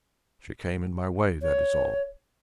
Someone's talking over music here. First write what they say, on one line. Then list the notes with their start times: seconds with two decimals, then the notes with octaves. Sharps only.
She came in my way, that is all.
1.42 C#5